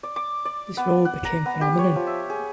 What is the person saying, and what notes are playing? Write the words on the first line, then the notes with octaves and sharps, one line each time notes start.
This role became phenomenon.
D5
D6
D5
B3
F#5
A#5
B3
G4
C#5
F3
E5
G#4